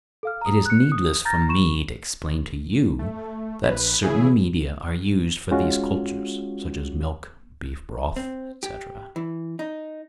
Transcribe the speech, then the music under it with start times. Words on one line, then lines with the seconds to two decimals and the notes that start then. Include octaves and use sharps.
It is needless for me to explain to you that certain media are used for these cultures, such as milk, beef-broth, etc.
0.23 A4 F5 F6
0.41 A#5 D#6
0.66 F#6 C#7
0.92 D#6
1.25 A#5 F6 G6 A6 A#6
1.48 B5 C#6 E7
2.99 A3
3.63 A#1 B4
4.03 C#3 E3 E4 G#4
5.51 G#3 C#4 F4 F#4
8.16 C4
8.63 G4
9.16 E3
9.59 D#4